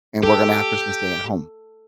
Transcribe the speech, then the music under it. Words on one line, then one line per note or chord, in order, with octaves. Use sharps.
and we're gonna have Christmas Day at home.
G4 A4